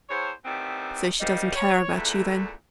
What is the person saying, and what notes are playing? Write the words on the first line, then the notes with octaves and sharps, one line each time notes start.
"So she doesn't care about you, then?"
E2 C5 C#5
D#3 E3 G3 A3 B3 C4
F2 C#3 F3 G3 A#3 D#4
C#5
E2 A#2 D3 A3